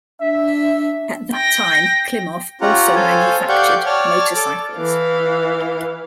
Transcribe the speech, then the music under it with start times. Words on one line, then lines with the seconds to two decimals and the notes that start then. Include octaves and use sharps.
At that time Klimov also manufactured motorcycles.
0.21 D4 E5
1.32 G5 A#6
2.61 C#4 F4 G4 F#5 A#5
2.95 A4 C5 C#5 F5 G#5
3.49 G4 D5 F5 F#5 C#6 G6
3.86 C#5 D5 A5 F6
4.36 A4 D6
4.78 E3 F5